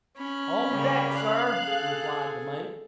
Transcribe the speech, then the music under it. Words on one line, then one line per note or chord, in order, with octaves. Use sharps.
"On deck, sir," replied the mate.
C#4 B5
C#3 G3 A#3
F5 F#6
G#4 A4